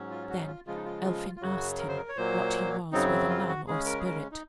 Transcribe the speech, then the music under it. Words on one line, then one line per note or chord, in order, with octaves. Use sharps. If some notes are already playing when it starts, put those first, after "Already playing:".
Then Elphin asked him what he was, whether man or spirit.
Already playing: G#2 F#3 C#4
F4
F#4
D#4
F4
C#3 F3 G#3 F4
D#4
F4
F4
F4
F#2 C#3 F#3 F#4
A#4
C5
A#4
C#5
A#2 F#3 A#3 C5
F#2 C#3 F#3 C4 D#4
F4
F#4
C#3 G#3 C#4 G#4
A#4
G#4
A#4
D#4